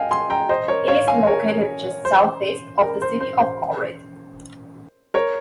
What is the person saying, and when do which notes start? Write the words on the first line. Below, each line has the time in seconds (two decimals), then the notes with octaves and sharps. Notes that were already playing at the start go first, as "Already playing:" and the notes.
It is located just southeast of the city of Ohrid.
Already playing: D#5 F5 G5 G#5
0.11 G#5 C6
0.30 G5 A#5
0.49 C5 D#5
0.68 A#4 C#5
0.88 C#5 F5
1.07 F5 G#5
1.27 A#4 C#5
2.05 C5
2.82 A#4
3.02 C5
3.21 C5
3.40 C5
5.14 A#4 C#5